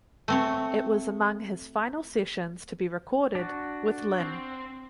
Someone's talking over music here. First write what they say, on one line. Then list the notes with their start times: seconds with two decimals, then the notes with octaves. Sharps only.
It was among his final sessions to be recorded with Lynn.
0.28 A3 C4 C#5
3.35 D4 F#4
4.20 C4